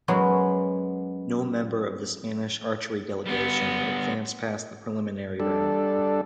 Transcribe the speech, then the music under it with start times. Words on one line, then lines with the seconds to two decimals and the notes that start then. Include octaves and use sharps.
No member of the Spanish archery delegation advanced past the preliminary round.
0.08 F#2 F#3 G#3 B3 C#5
3.26 G3 B3
5.40 G3 D4 A4